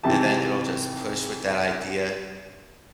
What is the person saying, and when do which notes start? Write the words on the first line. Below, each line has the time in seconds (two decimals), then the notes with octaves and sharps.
And then it'll just push with that idea,
0.03 G#1 C3 E3 G4 A5